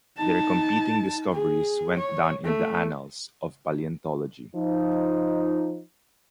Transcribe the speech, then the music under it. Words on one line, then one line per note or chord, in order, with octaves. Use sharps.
Their competing discoveries went down in the annals of paleontology.
D#4 A5
G#4
C#5
A3
F3 D#4